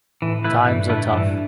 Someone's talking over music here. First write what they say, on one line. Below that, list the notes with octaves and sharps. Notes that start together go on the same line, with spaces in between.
Times are tough.
A2 E3
A3 E4 B4
A2
G2 E3
A2 A3 E4 B4
G2 E3